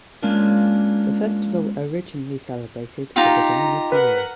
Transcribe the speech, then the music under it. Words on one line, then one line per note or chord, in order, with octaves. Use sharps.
The festival originally celebrated the beginning of the year.
G#3 A#3 C#4 D4 F4 A#4
D#4 F4 G4 A#5
A#4 B4 F#5